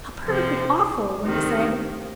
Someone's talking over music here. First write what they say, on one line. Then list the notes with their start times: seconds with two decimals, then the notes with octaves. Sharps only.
"How perfectly awful," Wendy said.
0.24 C3 F3 C4
1.26 D2 C3 D#3